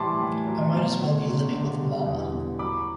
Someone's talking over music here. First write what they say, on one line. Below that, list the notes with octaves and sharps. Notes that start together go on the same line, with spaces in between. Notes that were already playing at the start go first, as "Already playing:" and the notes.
I might as well be living with mama.
Already playing: A2 E3 G3 A5 B5 C6 D6
A2
F#3
B2
F#3
B2
D3
G3
E2
E2
F#3 B5 D6